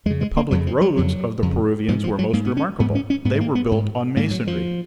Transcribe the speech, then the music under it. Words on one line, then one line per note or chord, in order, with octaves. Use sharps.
The public roads of the Peruvians were most remarkable; they were built on masonry.
F2 C#3 G#3
G#3
A#3
F2 C#3 F#3
F3
F#3
F2 C#3 F#3
F2 C#3
G#2 F3
F3
F#3
G#2 A#3
B3
C#4
G#2 B3
C#4
C#4
G#2 B3
G#3
A#3
B3
G#2
G#2 A#3
F#3
F3